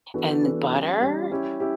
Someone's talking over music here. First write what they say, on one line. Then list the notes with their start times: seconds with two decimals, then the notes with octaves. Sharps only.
and butter,
0.14 E3 B3 D4 F#4 A4
0.43 E3 B3 D4 F#4 A4
0.72 G3 C#4 G4
1.02 G3 C#4 G4
1.31 G3 C#4 E4 G4
1.60 C#4 E4 G4